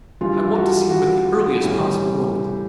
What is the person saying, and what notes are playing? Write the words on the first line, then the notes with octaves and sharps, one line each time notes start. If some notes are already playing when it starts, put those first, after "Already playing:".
I want to see him at the earliest possible moment.
G2 E3 G3 F4
F#4
F#4
A2 E3 G3